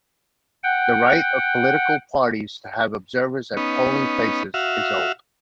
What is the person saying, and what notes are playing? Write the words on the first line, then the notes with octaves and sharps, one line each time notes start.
The right of political parties to have observers at polling places is old.
F#5 G5
B3 C#4 D#4
F#4 E5 F5